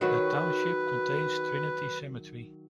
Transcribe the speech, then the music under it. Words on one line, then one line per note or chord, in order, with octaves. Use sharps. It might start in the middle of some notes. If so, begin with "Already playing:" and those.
The township contains Trinity Cemetery.
D#3 F#3 F#4 B4